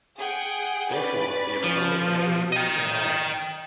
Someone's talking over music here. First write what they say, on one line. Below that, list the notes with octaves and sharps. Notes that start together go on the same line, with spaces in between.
Therefore, the opponent never moves at all.
G#4 F#5 G5
C#4 B4 D5
F3
D#5 G5